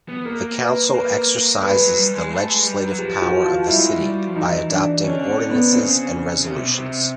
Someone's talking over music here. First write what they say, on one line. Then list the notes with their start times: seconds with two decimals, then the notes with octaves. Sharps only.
The council exercises the legislative power of the city by adopting ordinances and resolutions.
0.09 B3
0.25 A#3 A#4
0.60 B4
0.94 A#3 B4
1.62 G#3 B4
1.79 F#3
1.96 G3
2.14 G#3
2.31 A3
2.48 G#3
2.64 G3
2.81 F#3
2.99 F3 G4
3.22 F#4
3.45 F4
3.67 G3 E4
3.80 G#3
3.94 G3
4.27 F3
4.36 E3 D#4
4.70 D4
5.04 D3 C#4
5.27 C4
5.49 B3
5.73 C#3 C4
6.41 C#3
6.51 C3
6.61 B2
6.73 C3